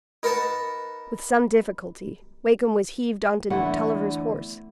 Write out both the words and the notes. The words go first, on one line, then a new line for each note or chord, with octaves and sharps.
With some difficulty, Wakem was heaved on to Tulliver's horse.
D#4 A#4 B4 F#5 A5
E2 D3 A3 E4 F#5